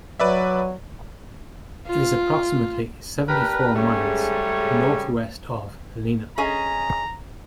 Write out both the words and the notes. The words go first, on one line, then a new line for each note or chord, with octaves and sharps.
It is approximately seventy-four miles northwest of Helena.
F#3 B4 D5 E5
F4
D4 G4 A#4 B4
G#2 C#3 G3 A3 C#4 C#5
C#4 G#4 D#5 A#5